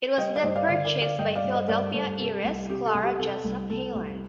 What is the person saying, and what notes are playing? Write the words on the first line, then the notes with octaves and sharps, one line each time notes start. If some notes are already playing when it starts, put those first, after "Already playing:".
It was then purchased by Philadelphia heiress Clara Jessup Heyland.
G3 D#5 G5
D5
G2 C5 D#5
D5 F5
D3 D5 F5
A#4 D5
D3
D5 F5
G2 D#5 G5
D5 F5
G2
C5 D#5
G2 A#4 D5
G2 A4 C5
C3 A4
C2
C3 G4
A4
C2
G4
C3 A4
C2
C2 A4
C2